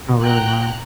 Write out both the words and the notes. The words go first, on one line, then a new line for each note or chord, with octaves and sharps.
Oh, really? Wow.
G5 A#5 F#6